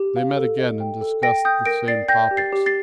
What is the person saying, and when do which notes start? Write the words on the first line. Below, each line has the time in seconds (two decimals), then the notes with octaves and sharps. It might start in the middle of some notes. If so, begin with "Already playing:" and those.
They met again and discussed the same topics.
Already playing: G4
0.16 F5
0.37 A4
0.58 D#5
0.80 G5
1.01 A4
1.23 G5 A#6 D7
1.45 G5 D#6 G6
1.66 A#4 A#6 D7
1.88 D5 A6 C7
2.08 G5 G6 A#6
2.31 G4
2.37 A6 C7
2.52 G4
2.66 A6 C7